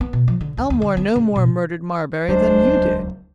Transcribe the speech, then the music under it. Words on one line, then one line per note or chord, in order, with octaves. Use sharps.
"Aylmore no more murdered Marbury than you did!"
B3
B2
F3
D3
D2
D2
D3
B3
C#3
B2
D#1 C#2 F#3 G#3 D4 C5